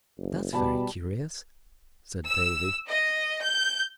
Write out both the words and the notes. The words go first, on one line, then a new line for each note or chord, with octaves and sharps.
"That's very curious," said Davy.
F#1
B2 G3 A5 B5
E6
D#5
G6